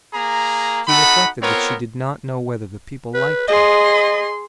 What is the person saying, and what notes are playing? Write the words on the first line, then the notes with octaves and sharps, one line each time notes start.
She reflected that she did not know whether the people liked her.
A#3 G#4 A#5
D#4 F#4 A4 F#5 B5
B3 C4 F4 A#4 C#5
B4
G#4 D#5 C6